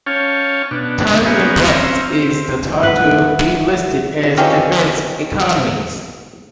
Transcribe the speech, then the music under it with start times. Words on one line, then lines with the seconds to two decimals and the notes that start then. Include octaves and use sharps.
Time in brackets is the time to be listed as advanced economies.
0.06 C#4 C#5 F5 G5 A5
0.71 B2 D4
1.25 F#3 G#3 A#3 B3 C#4 G4
1.68 C4 C#4 E5 F5 A#5
2.18 C4
2.83 B4 E5 F#5
4.37 D#3 E3 C4 C#4 F4 G4